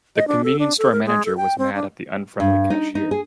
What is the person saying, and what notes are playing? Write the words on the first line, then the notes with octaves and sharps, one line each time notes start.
The convenience store manager was mad at the unfriendly cashier.
D#5
D4
A4
D4
A4
A#4
G#3
A4
G5
C4
D4
G2
D#4
D#4
G#4